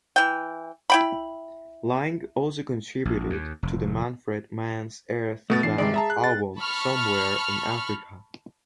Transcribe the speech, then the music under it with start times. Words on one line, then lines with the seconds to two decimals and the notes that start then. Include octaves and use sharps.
Laing also contributed to the Manfred Mann's Earth Band album "Somewhere in Afrika".
0.16 E3 G5
0.90 E4 G5 B5
3.05 A#1
3.30 D#2
3.63 F1
5.50 B2 A3 B3 A6
5.63 E3 D4 C7
5.78 C3 D#3 G#3 D5
5.94 G#4 E5 A5 A#5
6.10 F#6
6.24 A6
6.58 A5 B5 C#6 F6